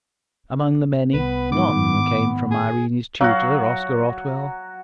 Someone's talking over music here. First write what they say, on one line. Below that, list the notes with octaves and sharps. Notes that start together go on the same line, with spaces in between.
Amongst the many, none came from Irene's tutor, Oscar Otwell!
C2 B3 B4
G#2 D#3 D6
G#4
F#3 F#4 F5